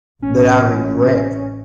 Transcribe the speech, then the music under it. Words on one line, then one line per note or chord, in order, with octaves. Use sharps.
that I regret."
A1 C#4